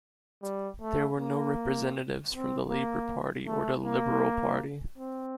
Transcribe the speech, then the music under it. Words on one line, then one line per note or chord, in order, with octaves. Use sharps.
There were no representatives from the Labour Party or Liberal Party.
G3
A3
A#3
C4
A#3
A3
A#3
C4